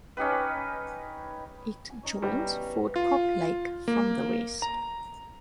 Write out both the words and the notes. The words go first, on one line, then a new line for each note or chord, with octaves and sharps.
It joins Fort Cobb Lake from the west.
C#4 D#4 G4 B4
G#5
C#4 D#4 C#5
B2 E3 G3 A#5
F4
A#3
A#5